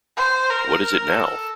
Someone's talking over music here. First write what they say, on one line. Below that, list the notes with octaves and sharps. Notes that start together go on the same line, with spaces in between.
What is it now?
C5
A#4
A4